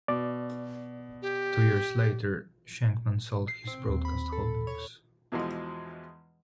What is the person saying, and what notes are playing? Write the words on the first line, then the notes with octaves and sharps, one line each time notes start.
Two years later, Shenkman sold his broadcast holdings.
B2 D5
G4
C7
C4
D#2
B5
A4
C#5
E2 B2 E3 F3 G#3